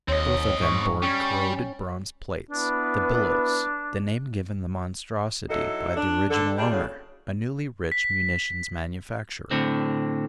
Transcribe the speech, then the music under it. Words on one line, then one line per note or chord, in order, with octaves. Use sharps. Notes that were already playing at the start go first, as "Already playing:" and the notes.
Both of them bore corroded bronze plates, "The Billows," the name given The Monstrosity by the original owner, a newly-rich munitions manufacturer.
D#2 C4 C#5 D#5
G#2 C#6
G3 C#4
B3 D4 E4 B4
F#3 D#4 E4 A4
D4
D3 A4
G3 G#3 D4
A2 C#3 F#3
B6
A2 D3 C4